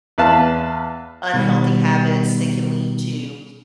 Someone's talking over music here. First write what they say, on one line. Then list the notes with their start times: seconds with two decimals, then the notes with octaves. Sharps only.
unhealthy habits, they can lead to,
0.18 E2 B4 E5 F5 A5
1.33 B2 D#3 G3